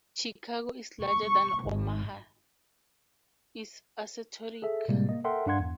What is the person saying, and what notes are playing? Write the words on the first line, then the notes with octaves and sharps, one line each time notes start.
"Chicago is larger than Omaha" is assertoric.
C#6
G#1
G#4 A4 E5
A2 C3 G3 G#3 A#3
A#3 D#5
A4 A#4 E5 F#5 G5 C6
G2 D4 F5 F#5 C6 G#6
E2